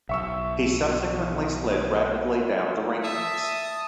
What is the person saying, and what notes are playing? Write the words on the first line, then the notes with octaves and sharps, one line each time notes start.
He subsequently slid rapidly down the rankings.
B1 E5 C#6 E6
E5 A5 D#6